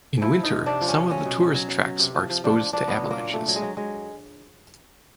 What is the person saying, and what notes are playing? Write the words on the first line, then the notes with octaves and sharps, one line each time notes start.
In winter some of the tourist tracks are exposed to avalanches.
F3 E4
F3
D#4
C3
C3 D4
F3
C#4
C3
F#3 C#4
B2
B2
F#3
F#3
F#3
C3
F3
F3
F3 D4
F3
F3 D4
F#3 B3
A#2
A#3
A#2
A#2 A3
F#3
G#3
F#3
F#3 G#3